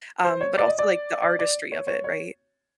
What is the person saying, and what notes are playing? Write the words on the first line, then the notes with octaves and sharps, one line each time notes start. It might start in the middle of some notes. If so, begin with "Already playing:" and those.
Um, but also, like, the artistry of it, right?
C5
C#5
D5
D#5
D5
D5
D5
C#5
C#5
C#5